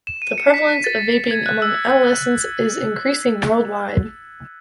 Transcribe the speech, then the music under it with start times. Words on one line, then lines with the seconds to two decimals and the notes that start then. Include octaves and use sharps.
The prevalence of vaping among adolescents is increasing worldwide.
0.07 E7
0.22 D#7
0.38 C#7
0.54 B6
0.84 A6
1.31 G#6
1.46 F#6
1.62 E6